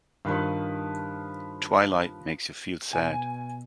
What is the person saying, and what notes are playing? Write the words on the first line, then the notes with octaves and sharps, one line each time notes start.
Twilight makes you feel sad.
G2 D#3 F3 B4 F5
B2 G#5